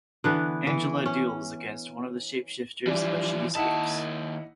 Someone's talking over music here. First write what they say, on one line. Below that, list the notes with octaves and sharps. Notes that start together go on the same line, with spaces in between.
Angela duels against one of the shapeshifters but she escapes.
D3 E3 B3
E3
C#4
E3 F3 G3 D4
D#2 D#4 E4 F#5 A5